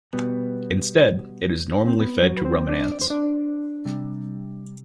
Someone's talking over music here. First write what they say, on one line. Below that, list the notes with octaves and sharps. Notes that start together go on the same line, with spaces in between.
Instead, it is normally fed to ruminants.
B2 G3 B3
C4
B3
F#3 F#4
B4
C4 C5
D4 D5
D5
C5
D4 D5
C3 G3